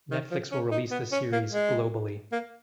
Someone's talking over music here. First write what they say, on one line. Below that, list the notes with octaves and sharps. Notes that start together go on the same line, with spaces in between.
Netflix will release the series globally.
D#3
F3
C#4
D#4
B3
C#4
A#3
G#3
A#3